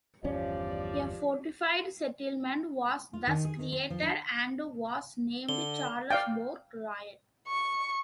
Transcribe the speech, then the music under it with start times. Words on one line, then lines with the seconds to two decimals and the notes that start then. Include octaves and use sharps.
A fortified settlement was thus created and was named Charlesbourg-Royal.
0.24 G1 E2 F3 C#4 G4 D5
3.14 F4
3.27 D#3
3.45 G#4
3.59 D#3
3.72 C4
3.90 F3
4.02 D4
5.49 D3 G7
6.11 D5 F5 G5
7.48 C#6